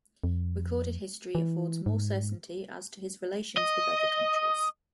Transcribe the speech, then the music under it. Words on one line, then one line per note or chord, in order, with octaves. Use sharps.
Recorded history affords more certainty as to his relations with other countries.
F2
E3
G#2
D#5